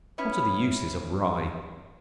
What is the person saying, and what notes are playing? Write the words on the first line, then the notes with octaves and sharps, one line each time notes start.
What are the uses of Rye?
B3 C#4 E4 B4